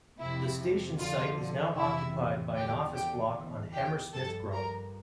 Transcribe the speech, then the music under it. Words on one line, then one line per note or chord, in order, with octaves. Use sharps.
The station site is now occupied by an office block on Hammersmith Grove.
F2 C3 F3 E4
F2 D3 F3 F4
F2 C3 E3 E4 E5
E2 D3 F3 G4 G5
G4 G5
E2 E3
G4 G5
G2 F3 A4 A5
A#4 A#5